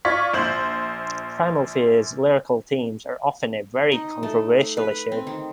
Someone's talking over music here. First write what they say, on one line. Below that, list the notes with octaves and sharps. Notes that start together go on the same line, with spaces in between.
Primal Fear's lyrical themes are often a very controversial issue.
F4 D5 C#6 G#6 B6
A#1 C5 G6 F#7
D#4
A3
B4
C4
D#3